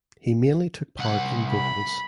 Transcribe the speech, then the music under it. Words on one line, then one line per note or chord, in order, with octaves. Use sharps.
He mainly took part in vocals.
C2 F#5
B5